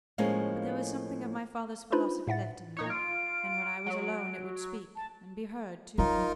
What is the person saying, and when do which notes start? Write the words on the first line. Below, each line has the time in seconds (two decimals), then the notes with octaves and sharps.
But there was something of my father's philosophy left in me, and when I was alone it would speak, and be heard, too.
0.18 A2 F3 G#3 A#3 C#4
1.92 D4 D#4 F4 B4 C5 B5
2.27 A2 E5 F#5 A6
2.77 A#2 D#4 C#5
2.90 F4 D7
3.86 F#3
4.96 A5
5.98 F#3 D#4 F4 A#4